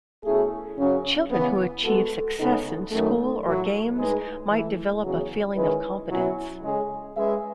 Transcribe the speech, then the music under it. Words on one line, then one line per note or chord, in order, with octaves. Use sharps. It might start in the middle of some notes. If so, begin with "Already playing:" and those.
Children who achieve success in school or games might develop a feeling of competence.
B2 A3 C#4 E4 G#4
F#2 C#3 F#3 C#4
C#3 E3 B3
G#3 B3 F#4 A4
C#3 G#3 B3 D#4 A4
F#2 D#3 A3
A2 F#3 A3 E4
A2 G#3 D#4 G#4 B4
E3 A3 E4
E2 C#3 F#3
D#3 G#3 C#4 E4 B4
B2 F#3 C#4 E4
C#3 G#3 C#4 G#4
G#3 C#4 G#4 B4 E5